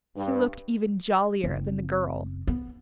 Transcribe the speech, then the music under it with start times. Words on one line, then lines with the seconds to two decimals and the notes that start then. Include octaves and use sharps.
He looked even jollier than the girl.
0.15 G2
1.44 F#1 C4
2.47 B3